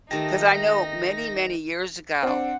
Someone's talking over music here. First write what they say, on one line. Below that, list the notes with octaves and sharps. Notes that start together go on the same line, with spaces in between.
'Cause I know many, many years ago,
D#3 A3 D#4 G4 A#6
C4 D4 F#5